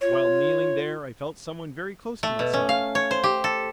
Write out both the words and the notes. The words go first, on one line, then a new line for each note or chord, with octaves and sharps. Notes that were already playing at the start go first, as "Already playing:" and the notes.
While kneeling there I felt someone very close to my side.
F4 C#5
A3
B2
C#4
F5
C#5
C5
G4
A4